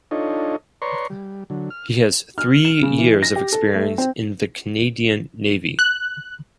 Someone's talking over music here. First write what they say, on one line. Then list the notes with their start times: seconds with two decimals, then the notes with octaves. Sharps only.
He has three years of experience in the Canadian Navy.
0.11 D4 D#4 F4 A4 C#5 D#5
0.82 B4 C#5 D5 A#5 C6 C#6
1.10 G3
1.50 D3 F#3
1.70 F6
2.38 F6
2.65 E7
2.83 C#3
2.98 E3
3.23 A#6
3.36 G4
3.52 A4
3.75 A3
3.98 C4
5.79 F#6